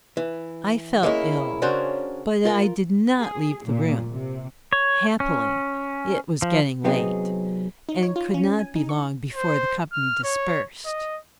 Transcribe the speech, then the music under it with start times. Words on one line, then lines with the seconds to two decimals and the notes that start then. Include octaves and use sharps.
I felt ill; but I did not leave the room: happily, it was getting late, and could not be long before the company dispersed.
0.17 E3
1.03 G#3 A#3 C#4 E4
1.62 C#3 C#4 D4 F#4 A#4 C5
2.45 F4 A#4
3.17 G#4
3.64 A#2
4.12 C3
4.73 C#5
5.20 C#4
6.42 F3
6.84 C3 F#3 B3 C4 D#4 G#4
7.89 D#4
8.03 C#5
8.16 F4
8.34 C#4
8.59 G#5
8.75 D#4
8.89 C#6
9.35 C5
9.93 F6
10.24 C#5
10.86 D#5